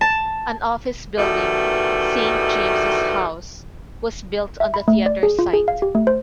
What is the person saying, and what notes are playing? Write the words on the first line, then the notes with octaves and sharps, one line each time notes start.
An office building, Saint James's House, was built on the theatre's site.
A5
B2 D#3 E3 G3 A3
E5
B5
A3
D5
G#4
F4
G#4
F5
G4
A3
C5